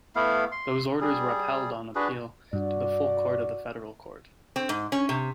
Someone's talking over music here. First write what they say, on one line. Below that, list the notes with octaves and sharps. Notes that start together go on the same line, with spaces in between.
Those orders were upheld on appeal to the Full Court of the Federal Court.
A3 B3 E4 F5
C6
G3 G#4
D4 F#4 G#4 B4
G2 F#4 D5
C4
G#2
C#4
C3